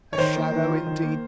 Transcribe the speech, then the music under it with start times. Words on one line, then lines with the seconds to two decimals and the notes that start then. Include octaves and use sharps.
A shadow indeed!
0.13 C#5
0.18 D#3 C5
0.35 A#3
0.52 D#3
0.69 F4
0.86 D#3
1.03 A#3